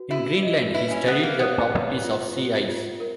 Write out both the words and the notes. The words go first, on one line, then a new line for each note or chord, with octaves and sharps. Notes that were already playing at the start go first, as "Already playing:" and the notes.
In Greenland, he studied the properties of sea ice.
Already playing: F#4 B4
E4 F#4
D#5
E4 B4
C#4
B3 B4
A#3
B3 C#5
C#5
F4
F4
F4
A#4